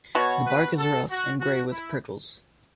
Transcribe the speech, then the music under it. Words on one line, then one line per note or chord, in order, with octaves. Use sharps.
The bark is rough and gray with prickles.
B2 B3 F#4 C#5
B4
A4
F#4
F#4
E4